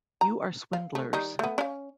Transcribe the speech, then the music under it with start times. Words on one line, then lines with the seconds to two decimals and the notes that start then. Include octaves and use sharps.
You are swindlers.
0.21 A#5
0.73 F5
0.95 A3
1.13 D#3 G3 D#4
1.39 A3 B3
1.58 C#4 F5